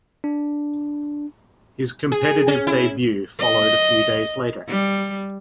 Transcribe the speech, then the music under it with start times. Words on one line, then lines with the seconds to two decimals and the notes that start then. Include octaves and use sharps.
His competitive debut followed a few days later.
0.24 D4
2.12 G#4
2.48 C#4
2.67 E4
3.40 D#5
4.69 G3